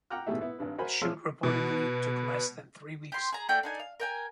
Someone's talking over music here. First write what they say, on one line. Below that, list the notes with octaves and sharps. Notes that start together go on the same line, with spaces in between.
The shoot reportedly took less than three weeks.
F#5 G5 A#5 D6 F6 F#6
G#2 B2 E3 G3 A3 E4
B3 E4
G#1 G2 B4
F#4 A#4 C5 G#5 B5
F3 G#4 C#5 C6 E6 F6
B2 B4
G4 C6
G#4 A#5
A3 D4 F#4 G5
D4 D#4 G#5
F5
A#4 G5 G#5